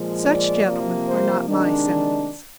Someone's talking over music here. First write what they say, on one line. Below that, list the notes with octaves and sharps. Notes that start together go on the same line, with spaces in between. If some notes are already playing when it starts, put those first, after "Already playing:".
Such, gentlemen, are not my sentiments.
Already playing: A#2 F3 G#3
D5
C3 F3 A#3
C5
C3 D#3 G#3 D4